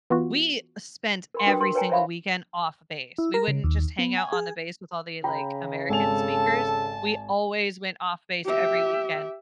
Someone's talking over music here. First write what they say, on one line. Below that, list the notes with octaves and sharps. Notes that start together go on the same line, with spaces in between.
we spent every single weekend off-base. We wouldn't just hang out on the base with all the, like, American speakers; we always went off-base every weekend.
E3 B3 F4 F#4
A#4 B5 C6
D4 F#4 A#4 B4 G5 D#6
A#4 C6
A#4 B4 C#5 G5 G#5 A#5
C5 C#5 E5 F5 B5
E4
A#4
C#3
D#2
B3
G#5
G#4
C#3 G5 A#5 B5
G#1 A4 G#5 A5 F7
G4 E5